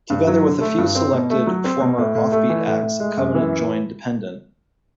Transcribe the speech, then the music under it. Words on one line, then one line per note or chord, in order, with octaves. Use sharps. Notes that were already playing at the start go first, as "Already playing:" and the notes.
Together with a few selected former Off-Beat acts, Covenant joined Dependent.
G2
F#3
D3
A3
G2
C4
B2
A3
F#3
C4
B2
A2
A2
A3
E3
A2
A2
G#3
F#2
E3